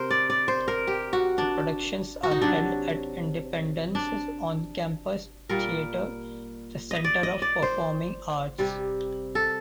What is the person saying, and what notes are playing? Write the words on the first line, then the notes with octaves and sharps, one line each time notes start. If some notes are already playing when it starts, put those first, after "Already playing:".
The productions are held at Independence's on-campus theatre, the Center of Performing Arts.
Already playing: C3 A#4 C5
D5
D5
C5
A#4
G4
F#4
D4
F#4
D#4
C3 F#3 D4
D4
A#2 G3 A#4
D#5
D5
D#5
D5
C5
C3 G3
A4